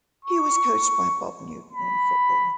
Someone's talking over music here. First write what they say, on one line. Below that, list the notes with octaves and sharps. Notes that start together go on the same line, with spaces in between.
He was coached by Bob Newton in football.
C#6
B5